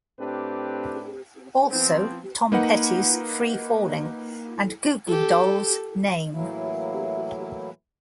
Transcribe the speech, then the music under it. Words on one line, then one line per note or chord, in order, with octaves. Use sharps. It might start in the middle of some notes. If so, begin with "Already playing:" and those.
Also, Tom Petty's "Free Falling" and Goo Goo Dolls' "Name".
A2 C4 D4 G4 B4
F3 B3 C4
A#3 D#4 B4 F#5
G4 A4
A2 E3 F#3 A#3 E4